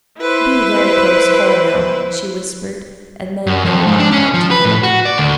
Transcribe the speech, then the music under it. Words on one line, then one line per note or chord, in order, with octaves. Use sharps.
"Be very close, Coronel," she whispered, and then they walked out together.
E4 B4 C5
F#2
F2
G#2
D4
C#4
F3
B4
A2
F#4
D5
D2